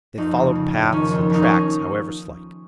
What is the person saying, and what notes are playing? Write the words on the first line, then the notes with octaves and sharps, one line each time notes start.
They followed paths and tracks, however slight.
F2 D#4
C#3
C#3
F2
D#3 C#4
F2
F2 D#4
C#4